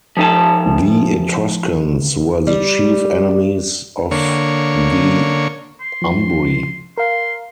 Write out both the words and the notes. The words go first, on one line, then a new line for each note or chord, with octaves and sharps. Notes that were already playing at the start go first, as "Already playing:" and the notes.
The Etruscans were the chief enemies of the Umbri.
F3 D#4 A5
G3
D3 A#3 C#5
C6
F3
A#4 F5 C6